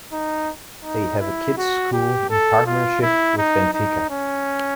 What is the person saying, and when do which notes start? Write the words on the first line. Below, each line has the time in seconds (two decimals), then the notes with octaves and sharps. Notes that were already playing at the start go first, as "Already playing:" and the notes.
They have a kids school in partnership with Benfica.
0.12 D#4
0.84 D#4
1.20 E4
1.57 F#4
1.93 G4
2.30 A4
2.66 F4
3.02 E4
3.37 D#4
3.74 D#4
4.10 C#4